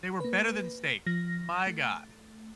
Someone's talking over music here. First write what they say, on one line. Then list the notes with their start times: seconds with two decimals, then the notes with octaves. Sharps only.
they were better than steak, my god.
0.20 A#3 B4
1.06 F3 A#6
1.67 A3